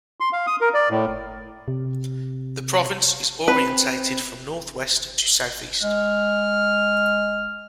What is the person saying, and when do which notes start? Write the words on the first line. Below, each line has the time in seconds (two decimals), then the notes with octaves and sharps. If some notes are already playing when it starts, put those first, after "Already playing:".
The province is orientated from northwest to southeast.
0.20 C6
0.33 F5
0.47 D#6
0.61 A#4
0.74 D5
0.90 A2
1.68 C3
3.48 C4 B4
5.82 G#3 F6